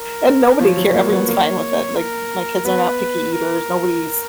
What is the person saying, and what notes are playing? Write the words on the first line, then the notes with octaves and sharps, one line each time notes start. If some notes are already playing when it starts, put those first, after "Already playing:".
and nobody care everyone's fine with it, like, my kids are not picky eaters, nobody's
Already playing: A#4
F3 C#5
F#3
A#3
B3
A#3
A#4
B3 B4
A#4